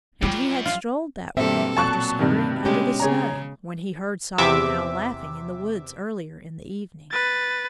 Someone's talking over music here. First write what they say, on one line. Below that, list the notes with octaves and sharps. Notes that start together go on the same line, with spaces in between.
And he had strolled that way after scurrying under the snow when he heard Solomon Owl laughing in the woods earlier in the evening.
F#2 G3 F4
F4
G2 B2 A#3 C4 A4 E5
A#2 F#3 A5 C#6 F#6
G2 C3 D#3
B2 D3 G#3 C#4 G4
C#3 G#4 C#5 A#5
E2 C3 E5 D6
B4 A6